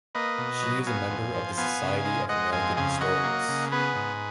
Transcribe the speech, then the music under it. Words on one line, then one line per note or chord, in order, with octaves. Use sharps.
She is a member of the Society of American Historians.
A#3 B4 D#5
B2
F#3
B3 F5 G#5
F2
F3
B3 F5 G#5
C#3
G#3
G#3 D#5 F#5
F2 F5 G#5
C#3 F5 G#5
F#3 D#5 F#5
A#3
C#3
B3 G#4 B4
G#2